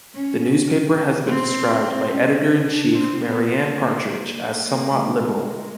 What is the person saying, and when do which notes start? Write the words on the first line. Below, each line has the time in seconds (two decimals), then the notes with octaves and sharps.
The newspaper has been described by editor-in-chief Marianne Partridge as somewhat liberal.
0.14 C#4
1.27 C4
1.82 C4
2.11 C#4
2.66 D4
2.94 C4
3.23 B3
3.50 C4
3.79 A#3
4.07 A#3
4.64 A#3
4.92 A3
5.20 G#3